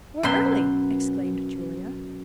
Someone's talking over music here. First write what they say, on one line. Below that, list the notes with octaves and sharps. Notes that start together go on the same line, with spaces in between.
"We're early!" exclaimed Julia.
F#2 B2 E5 C6